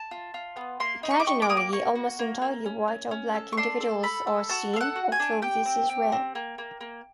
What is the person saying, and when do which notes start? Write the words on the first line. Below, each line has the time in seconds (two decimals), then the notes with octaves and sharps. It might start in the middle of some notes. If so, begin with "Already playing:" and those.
Occasionally almost entirely white or black individuals are seen, although this is rare.
Already playing: A5
0.11 F4
0.34 F4
0.57 B3
0.80 A#3 C6
1.03 D#4
1.11 C#6
1.20 D6
1.27 G4 C#6
1.42 D6
1.49 A#3 D#6
1.57 D6
1.73 A#3 C#6
1.95 F#4
2.19 A#3
2.42 A#3
2.66 C#4
2.88 C#4
3.11 C#4
3.34 A4
3.52 C#6
3.58 D4 C6
3.80 A4
4.03 A4 B5
4.27 A4
4.49 F#4 A5
4.73 A4 F5
4.81 F#5
4.96 F#4
5.12 G#5
5.20 D4
5.42 G4 G5
5.66 C4
5.89 G4
6.12 C4
6.35 A#3
6.58 A#3
6.81 A#3